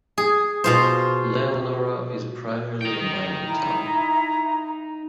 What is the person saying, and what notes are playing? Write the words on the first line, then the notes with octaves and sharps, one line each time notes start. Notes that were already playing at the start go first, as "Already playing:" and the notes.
Leonora is primarily a mining town.
G#4
B2 F4 C5
D#4 G5
E4 A#5